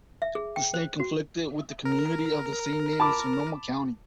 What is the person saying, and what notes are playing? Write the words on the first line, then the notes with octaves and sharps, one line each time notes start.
This name conflicted with the community of the same name in Sonoma County.
E5
G#4
G5
C5
F#4
A#4
A5 B5 D6